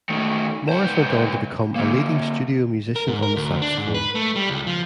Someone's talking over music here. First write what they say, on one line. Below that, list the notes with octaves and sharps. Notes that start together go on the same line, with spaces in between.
Morris went on to become a leading studio musician on the saxophone.
D#3 A3
C#2 C5
D3 A#3
A#4
G#2
A#4
D2
D4
G#2
B4
A3
G3
C#2
F3